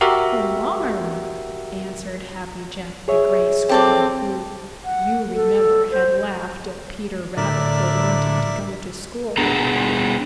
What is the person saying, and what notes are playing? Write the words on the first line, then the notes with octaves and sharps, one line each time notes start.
"No, marm," answered Happy Jack the Gray Squirrel, who, you remember, had laughed at Peter Rabbit for wanting to go to school.
F#4 G4 A#4 E5
G#4 C#5 E5
C4 G4 A4 D6
F#5
A4
C5
A2 D3 A#4 D5 E5
B3 D4 G#4 A#5